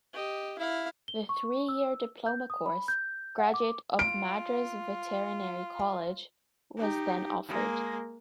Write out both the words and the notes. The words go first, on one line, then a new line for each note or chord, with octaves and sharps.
The three-year diploma course, Graduate of Madras Veterinary College, was then offered.
G4 D#5
E4 F5
G7
C#6
E6
G6
D#6
B5
G6
F#5
D6
F4 D7
D#4 G4
G#3 A#3